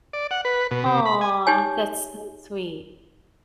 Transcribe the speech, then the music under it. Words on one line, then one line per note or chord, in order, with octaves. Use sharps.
Aw, that's so sweet.
D5
F#5
B4
B2
C3
B5
G#5
D#4 G4 C#5 G#5